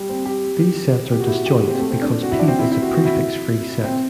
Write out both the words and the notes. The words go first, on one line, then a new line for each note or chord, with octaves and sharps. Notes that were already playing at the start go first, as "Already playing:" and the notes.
These sets are disjoint because "P" is a prefix-free set.
Already playing: G3
C4
G4
G4
F#4
E4
F#4
G4
F#4
C4
A3
C4
D4
F#4
E4
D4
C4
E4
E4
F#4
F#4
E4
C4